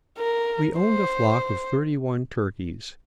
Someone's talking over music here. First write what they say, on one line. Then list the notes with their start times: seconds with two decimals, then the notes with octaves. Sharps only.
We owned a flock of thirty-one turkeys.
0.19 A#4
0.80 C5